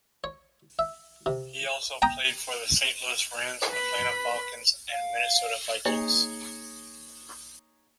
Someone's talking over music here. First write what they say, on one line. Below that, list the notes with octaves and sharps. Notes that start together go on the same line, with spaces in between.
He also played for the Saint Louis Rams, Atlanta Falcons and Minnesota Vikings.
C#5
E5
C3
G5 A#5 D#6
B4 B5
F5
A#3 D#4 G#4 C#5